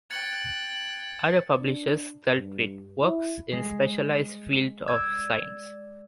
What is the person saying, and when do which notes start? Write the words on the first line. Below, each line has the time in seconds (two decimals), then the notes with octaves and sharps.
Other publishers dealt with works in specialized fields of science.
0.10 G5 F#6 G#6 A6 C#7
1.61 D4
2.37 G2
3.03 E4
3.52 G#3 C7
4.87 D5 E6 G6 G#6